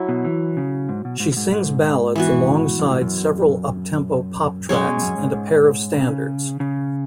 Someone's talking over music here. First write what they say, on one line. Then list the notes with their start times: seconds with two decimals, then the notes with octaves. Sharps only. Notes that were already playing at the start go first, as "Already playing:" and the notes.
She sings ballads alongside several uptempo pop tracks and a pair of standards.
Already playing: F#3 E4
0.09 B2
0.25 E3
0.57 C#3
0.89 G#2
1.05 B2
1.20 G#2
1.32 B2
1.37 G#2
1.52 G#2
2.16 E3 B3 F#4
2.79 F#2
2.90 G#2
3.01 F#2
4.69 F#2 G#3 C#4 G#4 C#5
4.85 B2
4.96 G#2
5.02 F#2
5.18 G#2
5.33 G#2
5.97 C#3
6.60 C#3